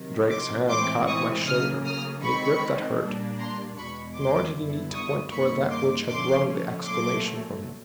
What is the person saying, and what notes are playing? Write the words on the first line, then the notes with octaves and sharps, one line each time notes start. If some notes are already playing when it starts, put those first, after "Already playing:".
Drake's hand caught my shoulder in a grip that hurt--nor did he need to point toward that which had wrung the exclamation from him.
Already playing: C3 D#3 F#3
C6 D6
A2 E3 G#3 C4 E4 C6 D6
C#6 D#6
C#3 F#3 A#3 D#6 F6
D#6 F6
D#3 G#3 C4 B5 C#6
A#2 G3 A#3 D4
A#5 C6
E2 B2 G#3 B5 C#6
C6 D6
F#2 D3 G3 B3 E4
C#6 D#6
G2 D#3 G3 A#3 B5 C#6
C6 D6
D3 F3 A3 C#4 C6 D6
A#2 F#3 A3 C6 D6